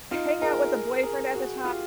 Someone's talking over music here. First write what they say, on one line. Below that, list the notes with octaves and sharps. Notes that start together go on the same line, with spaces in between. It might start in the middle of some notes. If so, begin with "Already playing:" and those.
hang out with the boyfriend at the ti
D#4 F4
G#4 A#4
G#4 A#4
F#4 G#4
F4 G4